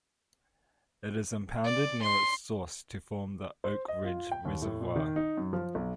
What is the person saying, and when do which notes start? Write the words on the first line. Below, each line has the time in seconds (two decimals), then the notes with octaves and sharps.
It is impounded near its source to form the Oak Ridge Reservoir.
1.65 D5
2.02 C6
3.64 C5
3.88 D#5
4.04 F4
4.32 G5
4.45 D#2
4.62 A2
4.81 A#2
4.96 D#3
5.16 D#4
5.37 F#2
5.53 F3
5.75 B1